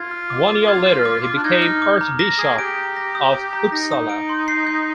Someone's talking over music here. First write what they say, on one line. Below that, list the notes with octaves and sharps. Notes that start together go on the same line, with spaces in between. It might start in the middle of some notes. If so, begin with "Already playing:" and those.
One year later he became Archbishop of Uppsala.
Already playing: F4 G#6
F6
D6
D6
G#6
F6
D6
D6
D4
D#4 G#6
F6
D6
A#5
A#6
G#4 D#6
G4 D7
A#5
A#6
D#6
D7
A#5
D#4 A#6
D#6
D7
C6
C7
G6